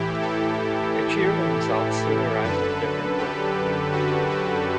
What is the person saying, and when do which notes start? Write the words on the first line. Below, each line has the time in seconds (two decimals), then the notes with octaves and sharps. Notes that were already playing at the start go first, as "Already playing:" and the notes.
Ichiro himself soon arrives on a different boat.
Already playing: A2 E3 E4 G4
0.21 A4
2.43 F#2 D3 B4
3.18 G4
3.92 F#4
4.30 F#4